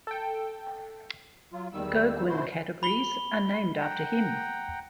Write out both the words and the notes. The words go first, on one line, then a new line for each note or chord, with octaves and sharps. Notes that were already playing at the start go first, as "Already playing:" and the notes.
"Goguen categories" are named after him.
A4 G5
F#3 F4
E2 D#3 G3 E6
F#2 B2 E4 F#4 C5 C6
B5 G7
F#5 G5 A#5